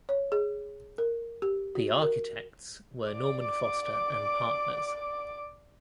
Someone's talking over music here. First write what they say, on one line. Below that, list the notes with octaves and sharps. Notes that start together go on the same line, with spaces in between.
The architects were Norman Foster and Partners.
C#5
G#4
A#4
G4
F#4
A#4
D5 D6